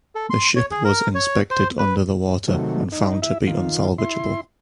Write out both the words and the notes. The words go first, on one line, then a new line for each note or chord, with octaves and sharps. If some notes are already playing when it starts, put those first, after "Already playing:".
The ship was inspected under the water and found to be unsalvageable.
A4
C6
C#5
G#4
A#4
C#5
C5
B4
C3 D#3 F#3 A3
D#4
E4 E5
D#3 F4
E4 C6